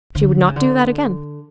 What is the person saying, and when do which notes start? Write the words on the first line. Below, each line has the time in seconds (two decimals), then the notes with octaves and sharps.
She would not do that again.
0.15 D3
0.48 C#3
0.56 D3